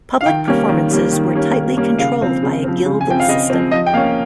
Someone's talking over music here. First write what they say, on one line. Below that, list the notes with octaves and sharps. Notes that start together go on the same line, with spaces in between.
Public performances were tightly controlled by a guild system.
F5
D#3 G5
G3 A#3 C#4
D#3
G3 A#3 C#4
D#3
G3 A#3 C#4
D#3
G3 A#3 C#4
C#3 F5
F3 C4
C#3
F3 C4
C#3
G#5
F3 C4 G5
F5
C#3 D#5
F3 C4
F3 D#5
G5
A#3 C#4 F5